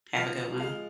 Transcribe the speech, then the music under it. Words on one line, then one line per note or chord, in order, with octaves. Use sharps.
Have a good one.
F3 F5
G#3 F5